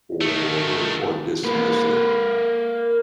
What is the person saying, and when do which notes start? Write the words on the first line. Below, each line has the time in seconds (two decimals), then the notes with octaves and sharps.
or or dismissive,
0.21 D#3 A3
1.44 A#3 B4